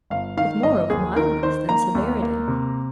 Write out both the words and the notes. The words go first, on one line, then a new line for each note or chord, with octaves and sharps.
"With more of mildness than severity."
G1 F5
D#3 F5
G1 D#5
D#2 G#4
D#3 A#4
D#3 C5
A#3 A#5
D#2
A#3
C3